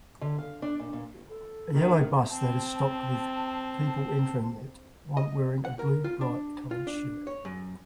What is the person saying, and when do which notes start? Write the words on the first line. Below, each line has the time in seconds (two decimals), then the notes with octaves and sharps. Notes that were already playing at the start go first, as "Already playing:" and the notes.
A yellow bus that is stopped with people entering it one wearing a blue bright colored shirt.
0.21 D3
0.38 F5
0.62 D4
0.80 A#2
0.93 A#2
1.29 A4
1.74 A#1 D#3
2.30 C4 A5
5.17 D#5
5.65 F#5
5.79 A#4
6.04 F4
6.21 D4
6.71 F4
6.87 D4
7.27 C#5
7.45 F#2